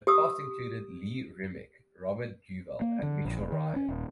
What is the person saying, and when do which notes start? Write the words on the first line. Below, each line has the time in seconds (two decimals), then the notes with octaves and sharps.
The cast included Lee Remick, Robert Duvall and Mitchell Ryan.
0.07 G4 D#6 E6
2.81 A#3
3.02 D3
3.25 A#1
3.39 E1
3.52 D#3
3.76 C#4
3.88 D#1